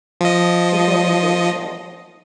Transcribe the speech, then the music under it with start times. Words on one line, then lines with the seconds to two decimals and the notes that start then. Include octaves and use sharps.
It was a great show.
0.21 F3 D#5